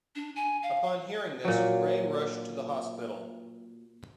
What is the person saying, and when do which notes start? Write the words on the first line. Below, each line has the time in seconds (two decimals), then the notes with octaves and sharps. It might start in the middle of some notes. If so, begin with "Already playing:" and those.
Upon hearing this, Ray rushed to the hospital.
0.16 D4
0.36 G#5
0.63 F5
1.44 A#2 F#3